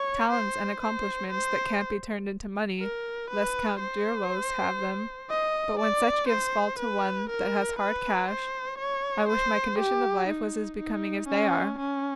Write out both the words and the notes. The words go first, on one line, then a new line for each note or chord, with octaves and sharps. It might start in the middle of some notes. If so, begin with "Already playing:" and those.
Talents and accomplishments that can't be turned into money, let Count Dirlos have them; but when such gifts fall to one that has hard cash, I wish my condition of life was as becoming as they are.
Already playing: C#5
C5
C5
C5
A#4
B4
C5
D#5
D5
C5
B4
A#4
B4
C5
C#5
C5
G4
D#4
D#4
C#4
C#4